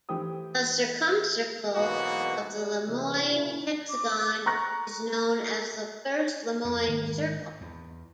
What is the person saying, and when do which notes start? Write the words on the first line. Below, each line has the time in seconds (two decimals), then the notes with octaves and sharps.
The circumcircle of the Lemoine hexagon is known as the first Lemoine circle.
0.09 E3 A3 G4 C5 G5 D#6
1.75 G#2 B2 E3 F#3 A#3 F#4
2.54 G3
2.87 C3 E3
3.29 F#2 A#2 C#3 E4
3.89 D6
4.46 A#5 C#6 F#6 A#6
6.64 F2
6.87 G#1
7.61 E2